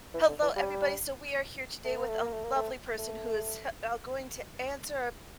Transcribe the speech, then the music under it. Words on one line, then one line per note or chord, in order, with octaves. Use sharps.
Hello, everybody. So, we are here today with a lovely person who is, uh going to answer a
E3
D3
E3
G3
A3
A#3
A3
A#3
A3
A#3
A3
A3